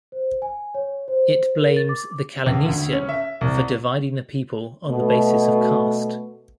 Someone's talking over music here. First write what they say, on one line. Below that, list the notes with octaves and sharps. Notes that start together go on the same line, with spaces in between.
It blames the kalineesan for dividing the people on the basis of caste.
C5
G#5
C#5
C5
A#4
A6
D6
C#2
D2
C#4
E5
C2
B2 A3